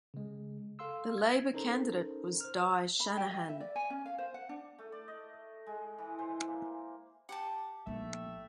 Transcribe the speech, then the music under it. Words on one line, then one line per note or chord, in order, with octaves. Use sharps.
The Labor candidate was Di Shanahan.
C#3 G#3
A4 F5 C6 E6
G#6
C#4 D#4 A4 A#4 C5 A#5
C5 F6
B5
G4
D#5
E5
D5
G#5
C#4
F5
C5
F#5
D4
A3
D5
D#5
G#3
E3
C5
A#3
G4 F#5 G5 A5
A#1 A3 D#4 E5